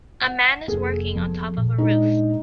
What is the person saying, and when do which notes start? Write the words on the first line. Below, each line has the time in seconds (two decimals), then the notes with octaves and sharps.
A man is working on top of a roof.
0.21 F#5
0.68 F1 A#3 G#4 A4
1.15 F3 B3
1.57 A#2
1.78 G#3 D4 D#4